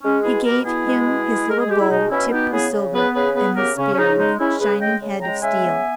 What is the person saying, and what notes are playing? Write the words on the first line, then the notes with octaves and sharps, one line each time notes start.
He gave him his little bow tipped with silver, and his spear with shining head of steel.
G#3 C#4
B2 E4 G#4
B3 G4 A#4
B2 E4 G#4
G#3
B2
G#3
G#3 A#4
G#4
G#3 G4
E4
B2 D#4
B2 C#4 E4
B3 D#4 G4
C#3 E4 G#4
C#3
B3 G#4 B4
C#3 G#4 B4
B3 G#4 B4
C#3 G4 A#4
C#3 C#4
C#4
C#3 D#4
G#3 D#4
G#3 C#4 E4
C#3 G#4 B4
G#3 D#5 G5
C#3
G#3 G5 A#5
C#3 E5 G#5
B3